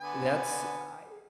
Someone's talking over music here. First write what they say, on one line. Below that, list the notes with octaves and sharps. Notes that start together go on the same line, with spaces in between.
that's I
D3 B3 G#5